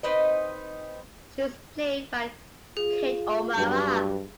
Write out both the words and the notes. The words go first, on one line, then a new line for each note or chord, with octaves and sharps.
She was played by Kate O'Mara.
C4 D#4 B4 D#5
F4 G#4
G2 F#3 G4 B4